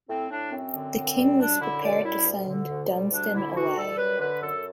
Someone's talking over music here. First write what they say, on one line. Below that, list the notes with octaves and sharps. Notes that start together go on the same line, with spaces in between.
The king was prepared to send Dunstan away.
A2 C4
A2 D4
F#2 C4
D3
F#2
G3
F#2 D4
D3 E4
F#2 D5
G3 E4
D2
D3
D2
G3
D2 D4
D3 E4
D2 F#4
G3 A4
F#2 B4
D3 B4
F#2 A4